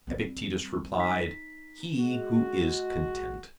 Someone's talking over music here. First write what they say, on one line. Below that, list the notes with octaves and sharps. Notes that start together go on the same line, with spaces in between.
Epictetus replied, "He who is content."
G3 C4
D#4 A#5 B6
G#3 F#4